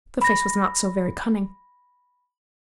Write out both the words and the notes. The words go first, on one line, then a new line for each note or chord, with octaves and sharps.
The face was not so very cunning.
B5 A#6